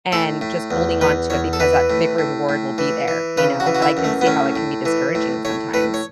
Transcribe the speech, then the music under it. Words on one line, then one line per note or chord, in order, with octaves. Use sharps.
and just holding on to it because that big reward will be there, you know? But I can see how it can be discouraging sometimes.
A2 A4
A2
E2
E2 B4
E2 C#5
A4
E3 B4
A2
A2
A2
E3
E3
C#3 B4
F#4
E3
F#4
E4
F#2
A3
B3
A2 C#4
A2
E3
A2
A2 C#5
A2 B4
C#5